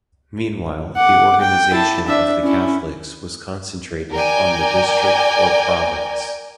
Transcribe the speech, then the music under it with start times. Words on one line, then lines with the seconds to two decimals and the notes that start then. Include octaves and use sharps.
Meanwhile, the organization of the Catholics was concentrated on the district or province.
0.96 F#5 D6
1.41 G5
1.73 E4 A5
2.07 D4 E5
2.43 C#4 E4
4.14 A#4 D5 G5 G#5